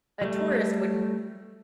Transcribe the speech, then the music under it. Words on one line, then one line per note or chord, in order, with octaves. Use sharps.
a tourist wouldn't
G3 A3